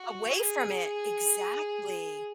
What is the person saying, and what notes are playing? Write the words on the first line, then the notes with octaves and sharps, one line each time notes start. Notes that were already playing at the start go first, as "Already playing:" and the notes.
away from it, exactly.
Already playing: F#4
G#4